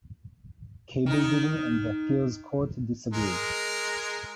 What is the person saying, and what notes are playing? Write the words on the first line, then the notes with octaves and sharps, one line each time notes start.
Cablevision and the appeals court disagreed.
D#3 D#4
G#3 A#4